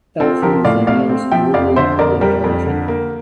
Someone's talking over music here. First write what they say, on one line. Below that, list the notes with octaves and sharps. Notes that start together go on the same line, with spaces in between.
Elton is the nearest rural locality.
C4 F4 A4
F3 G4 A#4
A2 D5 F5
A3 D5 F5
C4
F3 E5 G5
F2 D5 F5
D3 C5 E5
F2 A#4 D5
G3 G4 A#4
F2
D3
A#3